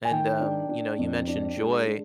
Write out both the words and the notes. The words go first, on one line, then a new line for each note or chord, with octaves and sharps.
And, um, you know you mentioned joy
G#5
D#3 G5
D4
D4
F2
D4
G#3
D4